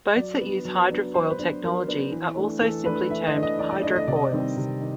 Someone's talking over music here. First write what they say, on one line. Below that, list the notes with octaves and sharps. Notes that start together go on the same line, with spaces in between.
Boats that use hydrofoil technology are also simply termed hydrofoils.
F#3 D5
B3 D4
F#3
B3 D4
F#3 C5
B4
B3 D4
F#3 A#4
B3 D4
E3
A3 D4
E3 A4
A3 D4 B4
E3 E5
D#5
A3 D4
D#5
E3 D5
D5
A3 D4 D#5
D#5
C3 D5
D#5
D5
D#3 G3 C4
C3
D#3